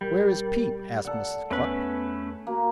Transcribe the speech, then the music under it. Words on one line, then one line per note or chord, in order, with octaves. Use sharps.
'Where is Peep?' asked Mrs. Cluck.
D#1 G3 A#4
F1 A4 D5 F#5
E2 A3 B3 C#4 B4 G#5
A#3 F#4